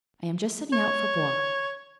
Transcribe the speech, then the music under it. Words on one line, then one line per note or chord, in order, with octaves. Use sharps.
I am just setting out for Blois.
C#5